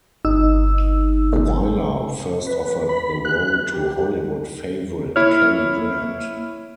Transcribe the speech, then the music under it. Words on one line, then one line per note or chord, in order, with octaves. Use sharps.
Wyler first offered the role to Hollywood favorite Cary Grant.
G1 D#4 E6
B4
B5
F#6
G4
A#3 E4 C#5 F6